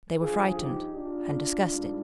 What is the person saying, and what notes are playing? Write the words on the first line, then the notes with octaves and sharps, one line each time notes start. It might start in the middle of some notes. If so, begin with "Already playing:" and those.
They were frightened and disgusted.
G2 F3 F4 G#4
D#4 G4
D4 F4
G#2 G3